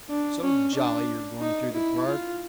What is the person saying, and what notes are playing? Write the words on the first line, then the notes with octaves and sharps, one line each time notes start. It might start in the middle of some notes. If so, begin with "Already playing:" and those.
"So jolly you're going through the Park."
D4
C#4
D4
D#4
E4
F4